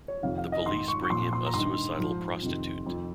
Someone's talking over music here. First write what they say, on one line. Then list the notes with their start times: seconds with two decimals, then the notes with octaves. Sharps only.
The police bring him a suicidal prostitute.
0.08 C#5
0.22 F2 C3 D#3 F5
0.38 F5
0.52 D#5
0.66 G#2 D#3 C6
0.88 C#6
1.03 C#6
1.10 A#2 F3 C6
1.33 C6
1.46 A#5
1.54 G2 D#3 C6
1.98 G#2 F3
2.42 F2 C3 D#3
2.86 F2 D#3